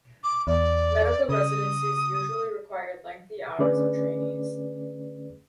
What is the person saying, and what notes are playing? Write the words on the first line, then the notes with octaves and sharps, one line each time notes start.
Medical residencies usually require lengthy hours of trainees.
D6
E2 D5
C#3 D#6
D3 A3 C#4 G#4 B4 D5